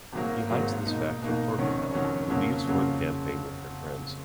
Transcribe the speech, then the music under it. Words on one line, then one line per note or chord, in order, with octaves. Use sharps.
He hides this fact from Torpenhow, who leaves for the campaign with their friends.
G#1 G#2 F#3 A#3
G#1 G#2 F#3 A#3
B2 A#3 D#4
B2 A#3 D#4
F1 F2 D#3 F#3 C#4
F1 F2 D#3 F#3 C#4
F2 C#3 F#3 A#3 C#4
F2 C#3 F#3 A#3 C#4